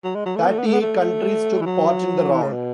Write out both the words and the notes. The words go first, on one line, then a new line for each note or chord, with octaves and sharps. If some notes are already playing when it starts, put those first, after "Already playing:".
Thirty-eight countries took part in the round.
F#3
G#3
F#3
A3
B3
A3
B3
A3
B3
A3
A3
E3
F#3
E3
C#3
B2